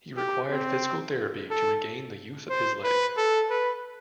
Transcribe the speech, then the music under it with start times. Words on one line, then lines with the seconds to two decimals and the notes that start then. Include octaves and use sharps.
He required physical therapy to regain the use of his leg.
0.17 G4
0.51 C4
1.50 A4
2.50 C5
2.83 B4
3.17 A4
3.50 B4